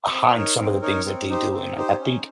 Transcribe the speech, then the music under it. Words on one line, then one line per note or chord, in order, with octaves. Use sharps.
behind some of the things that they do, and I I think
C4
D#4 A#4 C#5
C4
D#4 A#4 C#5
C4
D#4 G4 C5
C4
D#4 G4 C5
C#4